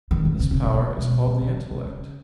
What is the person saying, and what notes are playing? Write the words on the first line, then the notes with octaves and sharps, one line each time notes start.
This power is called the intellect.
D#3
A2
C#3
C3
B2
C3
B2
B2
C3
C3
C#3